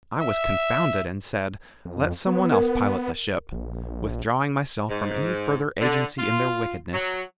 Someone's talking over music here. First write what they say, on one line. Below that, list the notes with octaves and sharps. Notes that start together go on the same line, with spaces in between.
I was confounded and said, 'Let some one else pilot the ship;' withdrawing myself from any further agency in their wickedness.
E5
F2
B3
A#4
A#1
G#2
D3
F4
F#3